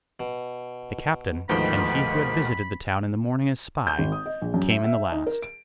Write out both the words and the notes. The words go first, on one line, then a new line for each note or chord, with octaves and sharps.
The captain, and he who had visited the town in the morning as spy, came in the last.
B2
D2 G#2 B2 D#3 F3 G5 B5
G6
G#1
D#6
D#5
A#1
F#2
E5
E5
D#4
A#4
D7